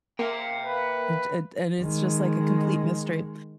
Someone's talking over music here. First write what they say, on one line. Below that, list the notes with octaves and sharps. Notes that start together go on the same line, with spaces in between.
and and and it's just, like, a complete mystery,
A#3 E5 G5
B4
D#3 G#3